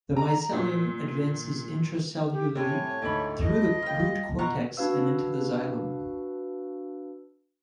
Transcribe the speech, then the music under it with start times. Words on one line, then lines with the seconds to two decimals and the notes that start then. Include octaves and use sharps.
The mycelium advances intracellularly through the root cortex and into the xylem.
0.17 A#5
0.53 A#2
2.32 G4
2.56 A2 C3 D4 C#5 G#5
3.02 D2 G#2 B5
3.40 D#5
3.83 F4 G5
4.39 B2 F#5 A#5 C#6
4.77 D4 F#4 B4 F5 E6